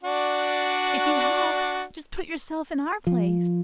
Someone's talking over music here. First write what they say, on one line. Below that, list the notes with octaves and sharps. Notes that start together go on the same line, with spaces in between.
If you have, just put yourself in our place.
D4 F#4 D5
F3